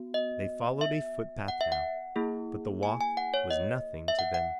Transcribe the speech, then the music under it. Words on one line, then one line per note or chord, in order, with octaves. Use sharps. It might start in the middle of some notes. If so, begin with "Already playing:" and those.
They followed a footpath now, but the walk was nothing to them.
Already playing: B3 F#4
D#5
E5
F#5
E5
F#5
A#3 E4 G#4
G#5
G#5
F#5
C#5
D#5
E5
F#5
F#5